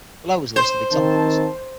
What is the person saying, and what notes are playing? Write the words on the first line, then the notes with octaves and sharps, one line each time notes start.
Below is a list of examples.
C5
D#3 C4 A5